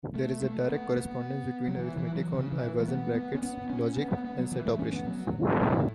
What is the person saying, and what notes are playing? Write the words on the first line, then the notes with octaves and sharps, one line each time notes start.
There is a direct correspondence between arithmetic on Iverson brackets, logic, and set operations.
A3
A3
B3
B3
F#3
E3
E3
F#3
C#3
E3
A3
B3
B3
C#4
B3
C#4
B3
B3
B3
F#3
E3
A3
C#4
B3
F#3
A2